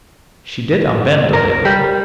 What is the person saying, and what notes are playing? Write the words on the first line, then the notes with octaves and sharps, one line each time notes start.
She did unbend a little.
A#4
G3